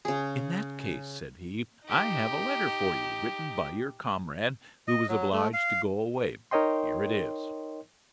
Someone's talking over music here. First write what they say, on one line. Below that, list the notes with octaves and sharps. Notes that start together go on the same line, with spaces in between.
"In that case," said he, "I have a letter for you, written by your comrade, who was obliged to go away. Here it is."
C#3 G#4
D#4 G4
D#5
F#3
A3
F5
D#4 A#4 C#5 D#5 G5 C6